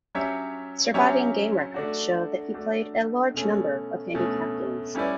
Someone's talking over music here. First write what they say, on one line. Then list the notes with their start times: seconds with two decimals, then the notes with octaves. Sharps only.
Surviving game records show that he played a large number of handicap games.
0.15 F#3 C#4 G4 C#5 E5
0.94 F#3 C#4 G4 C#5 E5
1.74 A3 D4 F#4
2.54 A3 D4 F#4
3.34 B2 A3 C#4
4.15 B2 A3 C#4
4.95 G3 C#4 E4 B4 D5